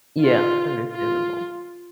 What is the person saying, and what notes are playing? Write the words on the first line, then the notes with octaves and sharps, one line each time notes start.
Yeah, understandable.
F4
F4